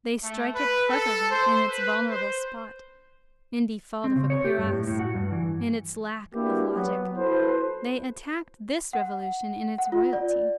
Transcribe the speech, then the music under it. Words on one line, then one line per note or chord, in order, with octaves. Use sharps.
They strike it cleverly in its vulnerable spot, in default of a cuirass, in its lack of logic; they attacked this revolution in its royalty.
A3
B4
A4
C5
B4
C5
C4
C#3
C#5
G4
G2
A2
A2
F#4
G2
E3
A#3 B3 D4 E4 F#4 G4
F#3 B3
E4 F#4 A4 B4 C5
F#5
F#5
F4
D5